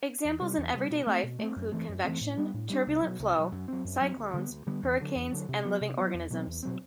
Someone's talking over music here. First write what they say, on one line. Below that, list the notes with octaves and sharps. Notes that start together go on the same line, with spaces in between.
Examples in everyday life include convection, turbulent flow, cyclones, hurricanes and living organisms.
E2
C3 G3
E2
C3 G3
B2
A3 C4
B2
A3 C4
F#2
E3 A3 C4
F#2
E3 A3 C4
A2
G3 B3 D4
A2
G3 B3 D4
C2
B2 F#3
C2
B2 F#3
F#2
F#3 C4
F#2
F#3 C4
D2
D3 G3 B3
D2
D3 G3 B3
E2
D3 F#3
E2
D3 F#3
C3
F#3 B3
C3
F#3 B3
E2
B2 F#3 C4
E2
B2 F#3 C4